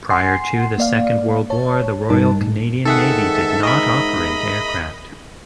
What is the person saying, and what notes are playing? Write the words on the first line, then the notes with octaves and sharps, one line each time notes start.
Prior to the Second World War the Royal Canadian Navy did not operate aircraft.
F#5 G#5 C6 C7
A#3 D5 F5
C#5 A5
G2 G3 D#4 A#4 A5
A2
G#2 D#3 G#4 A4 E5 F#5
G#4 A#4 D#5 E5 B5